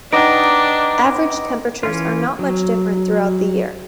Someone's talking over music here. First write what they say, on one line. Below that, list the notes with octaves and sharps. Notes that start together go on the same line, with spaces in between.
Average temperatures are not much different throughout the year.
D4 D#4 B4 F#5 G5 D6 A#6 D7
E3 C#4 F4
F#3